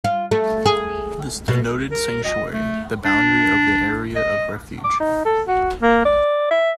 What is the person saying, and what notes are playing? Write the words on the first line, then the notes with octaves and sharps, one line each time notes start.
This denoted sanctuary, the boundary of the area of refuge.
F4
A3
G#4
B2
A#4
D#5
A3
D4
D#5
D6
D#4
A4
F#4
A#3
D5
E5